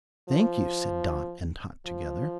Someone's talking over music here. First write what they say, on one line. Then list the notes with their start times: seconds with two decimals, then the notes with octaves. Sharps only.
"Thank you," said Dot and Tot together.
0.29 F3
1.86 F3